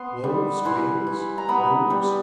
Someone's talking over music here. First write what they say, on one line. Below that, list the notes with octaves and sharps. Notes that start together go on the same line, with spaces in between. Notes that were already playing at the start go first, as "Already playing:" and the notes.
Wolves, whales, crows?
Already playing: B3 C6
G3
E3 C6
E3
A#5
B3 B5
G3